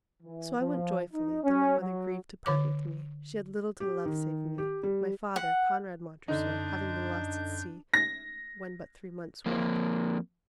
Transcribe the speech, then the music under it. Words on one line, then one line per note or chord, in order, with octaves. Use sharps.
So I went joyfully though my mother grieved to part with me; she had little to love save me, my father, Conrad Montressor, having been lost at sea when but three months wed.
E3
F3
D#4
C#4
F#3
D3 C#5 D6
G4
D#3
G4
G3
F#5
F#2 D3 D4 D#4 G6
A#6
F2 A#3